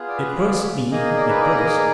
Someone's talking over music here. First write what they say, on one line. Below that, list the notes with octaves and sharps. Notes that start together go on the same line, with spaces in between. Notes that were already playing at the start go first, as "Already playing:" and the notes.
It hurts me, it hurts.
Already playing: B3 F4 G#4
D5
B4
D5
A#3 D#4 G#4 D#5
D5
B4
D5
D#5
D5